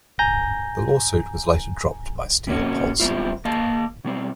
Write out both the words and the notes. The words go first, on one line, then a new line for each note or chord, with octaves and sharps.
The lawsuit was later dropped by Steel Pulse.
G#5 A#5 G6 A#6
C3 A#3 C#4 F#4
G3 G#3 B3 C4 E4 F4
A#3 D#5 F5 A5
B2 G3 C4